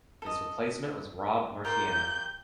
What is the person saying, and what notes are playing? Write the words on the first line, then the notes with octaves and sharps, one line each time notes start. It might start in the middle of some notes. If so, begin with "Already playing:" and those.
His replacement was Rob Marciano.
A4 D#5
F4 G4 A#4 G6